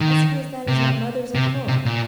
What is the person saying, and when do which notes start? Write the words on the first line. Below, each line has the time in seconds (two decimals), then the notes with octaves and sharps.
"I suppose that is what mothers are for!"
0.01 D#3
0.68 C3
1.35 C3
1.68 C3
1.85 A#2